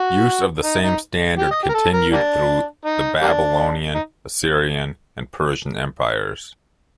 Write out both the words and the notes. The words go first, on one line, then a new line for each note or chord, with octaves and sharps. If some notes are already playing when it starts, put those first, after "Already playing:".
Use of the same standard continued through the Babylonian, Assyrian, and Persian Empires.
Already playing: F#4
D#4
D#4
G4
D#5
G4
A#4
A4
A#4
G3 A#3 D4
D#4
G3 A#3 D4
D#4